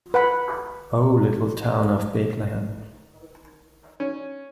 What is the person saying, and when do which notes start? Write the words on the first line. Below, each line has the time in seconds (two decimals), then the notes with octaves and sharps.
O little town of Bethlehem.
0.14 B4 F#5 B5
4.00 C#4